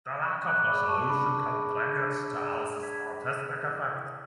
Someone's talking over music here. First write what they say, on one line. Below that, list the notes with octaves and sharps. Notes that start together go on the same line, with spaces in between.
The lack of resolution contributes to Ellis' artistic effect.
D4 C#6 E6
D6 F#6
G#4 D5 B5 D6
A5 C#6
D4 B5 D6
G#4 D5
D4
G#4 D5
D4 G#6 B6
G#4 D5
E4